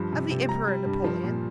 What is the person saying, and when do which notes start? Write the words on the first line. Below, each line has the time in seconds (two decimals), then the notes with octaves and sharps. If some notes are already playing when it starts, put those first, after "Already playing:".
Of the Emperor Napoleon?
Already playing: G2 F3
0.12 C3
0.31 C3
0.49 G3 A#5
0.67 G3
0.86 G2
1.04 F3
1.24 A#2